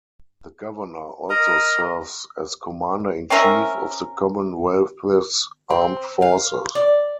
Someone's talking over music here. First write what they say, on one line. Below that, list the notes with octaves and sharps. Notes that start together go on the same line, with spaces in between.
The governor also serves as commander-in-chief of the Commonwealth's armed forces.
A#4 D#5 A#5 D#6
C4 C#4 A#4 E5
C4
F5
D5